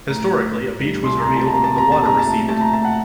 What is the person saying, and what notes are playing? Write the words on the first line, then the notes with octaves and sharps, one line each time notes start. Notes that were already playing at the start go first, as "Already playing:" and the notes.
Historically, a beach was revealed when the water receded.
A2 A#5
A2
A2
G3
C2 C6
A#5
C3
A5
A#3 A#5
A5
C3 A#5
A5
A#2
A#5
A5
A3
A3 A5
A#5
A3 A5
F#5